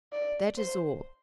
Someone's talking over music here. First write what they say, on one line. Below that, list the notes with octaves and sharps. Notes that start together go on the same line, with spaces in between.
That is all.
D5
C5